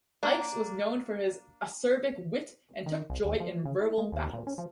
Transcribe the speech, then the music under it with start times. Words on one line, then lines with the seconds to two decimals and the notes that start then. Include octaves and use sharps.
Ickes was known for his acerbic wit and took joy in verbal battles.
0.23 A#3 D4
2.86 D#3
3.10 C2
3.25 D#2
3.40 F3
3.65 C#3
3.81 E4
3.98 G#3
4.12 D#2
4.33 A#2
4.47 C#4
4.58 F3